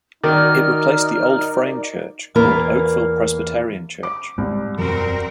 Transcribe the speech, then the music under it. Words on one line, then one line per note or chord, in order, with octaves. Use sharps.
It replaced the old frame church, called Oakville Presbyterian Church.
D#3 D#4 F#4 A#4 D5 F6
E2 E3 A#3 E4 A#4 B4
D6
C2 G#2
E1 F#2 F3 C4 F#4 A#4